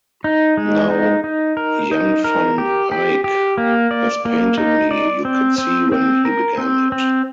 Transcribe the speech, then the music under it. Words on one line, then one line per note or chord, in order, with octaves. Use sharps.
Now Jan van Eyck has painted me, you can see when he began it.
D#4
G#3
D#4
D#4
A#4
D#4
A#4
G4
G4
G4
A#3
D5
A#3
D#4
D5
C4
C4
C4
A#4
C4
C4